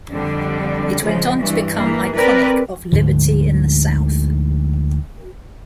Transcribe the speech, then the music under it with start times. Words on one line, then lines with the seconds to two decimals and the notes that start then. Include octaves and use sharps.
It went on to become iconic of liberty in the South.
0.10 F2 D3 G3
1.03 C#3 F3 G#3
1.38 G2 E3
1.75 E3 A#3
2.14 C4 A#4 B4 D5
2.92 D2 G#2 D3 F3